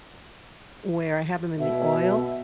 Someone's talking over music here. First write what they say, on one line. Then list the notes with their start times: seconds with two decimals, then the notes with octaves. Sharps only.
where I have them in the oil,
1.59 B2 E5